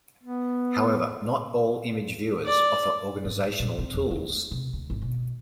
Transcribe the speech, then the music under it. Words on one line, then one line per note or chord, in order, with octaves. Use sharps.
However, not all image viewers offer organizational tools.
B3
D5
G#2
A#2
C4
E2
G3
A3
C3
D2
G#1
B2